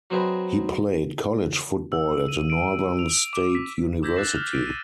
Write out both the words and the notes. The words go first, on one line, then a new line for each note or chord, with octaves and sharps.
He played college football at Northern State University.
F#3 C4 G#4 B4 D#5
E6
D#7
D7
F7
D6
B6
D6 E6 G6 G#6 A#6 B6
E6 F#6 A6 C7 E7
F6 F7
D7
D#7